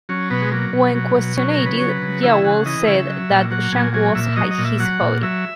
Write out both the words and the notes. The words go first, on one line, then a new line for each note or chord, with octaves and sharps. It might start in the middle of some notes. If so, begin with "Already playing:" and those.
When questioned, Diawol said that junk was his hobby.
F#3 C#4
B2 B3
G#3
F#3 A#3
B2
F#3
B2
F#3 C#4
A#4
C#3
B4
F#3 C#5
B4
C#3
E3 E5
C#3 F#5
E3 D#5
C#3 E5
F#3
A#2
F#3 F#5
A#2 G#5
F#3 G#5
A#2 E5
F#3 D#5
D#5
A#2
E5
F#3 F#5
A#2
F#3 E5